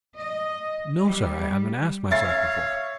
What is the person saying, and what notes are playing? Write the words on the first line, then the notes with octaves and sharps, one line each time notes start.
"No, sir, I haven't asked myself before."
D#5
G3
C#5 E5 F5 A6 C7